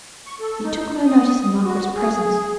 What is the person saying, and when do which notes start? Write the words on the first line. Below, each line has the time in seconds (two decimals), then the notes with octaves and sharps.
He took no notice of Margaret's presence.
0.26 C#6
0.40 A4
0.63 D#4
1.06 D#6
1.65 F#4
1.95 G#4